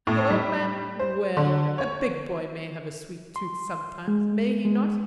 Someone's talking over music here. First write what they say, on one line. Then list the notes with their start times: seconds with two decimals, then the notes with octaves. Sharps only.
And the old man--well, a big boy may have a sweet tooth sometimes, may he not?
0.07 A2
0.30 G3
0.99 C5
1.37 D3
1.78 C#5
3.36 C6
4.08 G#3
4.65 G#3